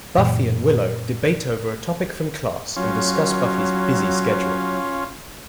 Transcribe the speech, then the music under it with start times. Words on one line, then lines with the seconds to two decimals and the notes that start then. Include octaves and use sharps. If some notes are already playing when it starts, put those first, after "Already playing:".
Buffy and Willow debate over a topic from class and discuss Buffy's busy schedule.
0.18 F#2 A#2 E3
2.76 F#3 C#4 F4